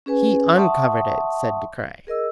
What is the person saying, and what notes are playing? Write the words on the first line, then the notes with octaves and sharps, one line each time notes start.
"He uncovered it," said De Craye.
C#4 G#4 B4 G#5
E5 F#5 A5 C6 C#6 D#6
G#4 A#4 D#5 E6